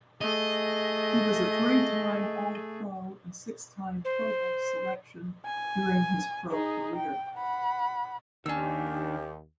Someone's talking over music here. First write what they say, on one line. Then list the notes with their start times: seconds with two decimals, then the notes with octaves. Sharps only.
He was a three-time All-Pro and six-time Pro Bowl selection during his pro career.
0.21 A3 G#4 D#5
4.05 C5
5.45 G#5
6.51 D#4 G#4
6.96 G5
7.36 F#5 B5
8.46 D#2 D#3 C#4 D4 G4 E6